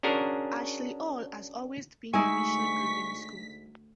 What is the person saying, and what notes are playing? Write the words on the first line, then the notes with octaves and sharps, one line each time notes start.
Ashley Hall has always been a mission-driven school.
C#4 D4 F#4 G#4 A#4
D2 G#3 D#4 E4 G#5 C#6 B6